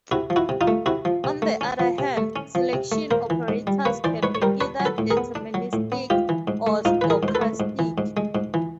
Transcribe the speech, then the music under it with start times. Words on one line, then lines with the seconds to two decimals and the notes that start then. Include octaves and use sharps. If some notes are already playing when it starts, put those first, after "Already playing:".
On the other hand, selection operators can be either deterministic, or stochastic.
0.11 C3 E4 F#4
0.30 F3
0.36 E4 F#4
0.49 C3
0.61 D#4 F4
0.68 A3
0.86 C3 E4 F#4
1.05 F3
1.24 C3
1.42 A3
1.61 C#4
1.80 F3
1.99 C3
2.17 A3
2.36 C#4
2.55 F3
2.73 C3
2.92 A3
3.11 A#3 A#4 C5
3.30 E3
3.48 G#2
3.67 G3
3.85 A#3 B4 C#5
4.04 E3 C5 D5
4.23 G#2 B4 C#5
4.35 C#5
4.42 G3 A#4 C5
4.61 D4 B4 C#5
4.80 F#3
4.85 A4 B4
4.98 A2
5.11 G#4 A#4
5.17 B3
5.35 D4
5.54 F#3
5.73 A2
5.92 B3
6.10 G#2 F4 G4
6.29 E3
6.48 G#2
6.67 A3
6.85 G#2 D#4 F4
7.01 E3 B4
7.10 G#4 A#4
7.23 G#2
7.28 C5
7.35 A4 B4
7.41 A3
7.60 G#2
7.79 E3
7.98 G#2
8.17 G#3
8.35 G#2
8.54 E3